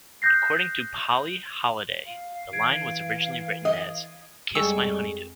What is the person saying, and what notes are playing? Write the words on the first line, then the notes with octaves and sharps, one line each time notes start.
According to Polly Holliday, the line was originally written as, Kiss my honeydew!
D#6 F#6 G6 A#6 C7
F5
E3 G#6 C7 D7
D#5
F2 G3 G#3 G#4 G5 C#6 E6